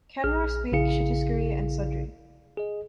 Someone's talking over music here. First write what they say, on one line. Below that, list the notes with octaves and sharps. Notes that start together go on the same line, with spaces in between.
Kanwar speak Chhattisgarhi and Sadri.
A#1 G#4 F6
A#1 C#3 E4 G#4 F5 C#7
G#4 D#5